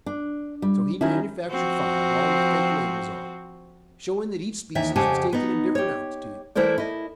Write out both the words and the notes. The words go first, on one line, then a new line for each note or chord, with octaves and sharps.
So he manufactured five, all with faked labels on, showing that each species was taken at different altitudes.
D4
G3
D#3 C#4 E4
F3 C4 F#4
D#2 D#3 E3 E5
F2 C#3 G4 F#5 G#5 A5
B3 D#4
G4 C#5
E3 A3 E4 A#4 C5 D5
E4 D#5